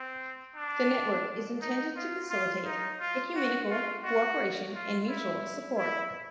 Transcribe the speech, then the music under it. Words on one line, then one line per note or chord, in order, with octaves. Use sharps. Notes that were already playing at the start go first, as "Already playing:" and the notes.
The network is intended to facilitate ecumenical cooperation and mutual support.
Already playing: C4
D4
D#4
F4
F4
D#4
F4
F#4
F4
F#4
F4
E4
E4